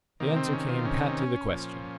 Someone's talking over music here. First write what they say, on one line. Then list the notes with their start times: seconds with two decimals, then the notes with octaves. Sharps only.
The answer came pat to the question.
0.20 C3 D#3 A#3
0.36 C4
0.53 C#4
0.69 F4
0.85 C#4
1.51 A#2 F3